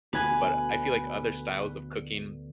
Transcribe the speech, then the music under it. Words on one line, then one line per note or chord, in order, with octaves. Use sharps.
But I feel like other styles of cooking
D2 B2 D3 B4 G#5